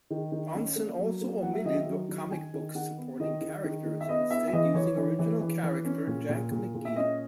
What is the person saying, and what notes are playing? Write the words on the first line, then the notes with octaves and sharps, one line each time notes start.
Johnson also omitted the comic book's supporting characters, instead using original character Jack McGee.
D#3
D#3
C#4
A#3
F#3
A#3
F#3 F#5
E5
D#3 D#5
E5
F#3
D#3
D#3 G#5
D#3
D#3 F#5
B3
D#3 D#5
D#3
D#3
D#3
E5
B3 D#5
B3 E5
E5
E3 D#5
E3 C#5
E3
E3
E3
E3
C#4
A#2
A#2
A#2
A#2
E5
C#4 D#5